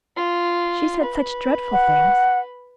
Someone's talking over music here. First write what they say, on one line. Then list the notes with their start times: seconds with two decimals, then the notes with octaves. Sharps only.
"She said such dreadful things."
0.16 F4
1.03 B4
1.73 F#5